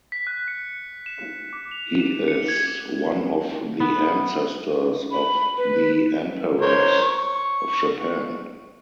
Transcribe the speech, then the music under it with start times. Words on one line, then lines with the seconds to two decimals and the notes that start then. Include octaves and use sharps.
He is one of the ancestors of the Emperors of Japan.
0.12 B6
0.27 F#6
0.48 C#7
1.06 E7
1.53 D6
1.71 F7
2.00 E7
2.28 C#7
2.48 G#6
3.80 B3
5.11 B5
5.57 B4
6.62 A#4 C5 C#5
7.02 C#6